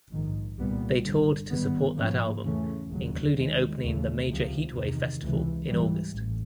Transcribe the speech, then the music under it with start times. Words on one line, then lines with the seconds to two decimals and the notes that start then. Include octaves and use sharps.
They toured to support that album, including opening the major Heatwave festival in August.
0.11 A#1 G#2 D#3
0.57 C2 A#2 G3 B3
1.03 G1 G2 D3
1.50 G#1 G2 D#3 G3 B3
1.97 G#2 F3 A#3 C#4
2.43 E2 C#3 E3 A3 C#4
2.89 F1 D#2 C#3 F#3
3.36 D#2 D#3 G#3
3.82 D#2 C#3 E3 A3
4.28 C#2 C3 F3
4.75 E2 C3 D#3
5.21 C#2 C3 E3
5.68 G#2 E3 G3
6.14 A1